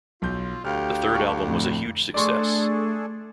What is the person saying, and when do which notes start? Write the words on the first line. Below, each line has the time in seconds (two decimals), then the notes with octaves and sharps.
The third album was a huge success.
0.22 B1 F4 G6
0.65 D2 G4 F5 F6
1.15 G5 A5 C#6
1.47 F2 A2
2.14 A3 D4 G#4 A4 D5 C6 C#6